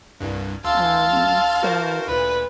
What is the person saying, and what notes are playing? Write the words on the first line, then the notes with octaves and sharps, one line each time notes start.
um, so,
C2 G2
D2 F5 A5 C6 E6
F#4 A#4 C5
D2 A#2 B4